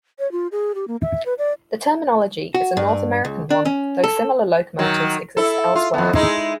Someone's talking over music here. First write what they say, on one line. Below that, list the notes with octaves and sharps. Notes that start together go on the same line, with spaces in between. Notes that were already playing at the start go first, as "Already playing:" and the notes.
The terminology is a North American one, though similar locomotives exist elsewhere.
C#5
F4
G#4
G4
A#3
E5
B4
D5
F#4
G2
C#2
D4
C#4
A4
D#3 F#3
E4 A4
F4
F2 B3
G#3 D#4 E4